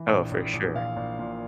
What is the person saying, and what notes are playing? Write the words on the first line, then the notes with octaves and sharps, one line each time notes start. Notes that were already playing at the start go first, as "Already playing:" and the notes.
Oh, for sure.
Already playing: E3
A#1
A#1
A#1
A#2 F5
A#1
A#2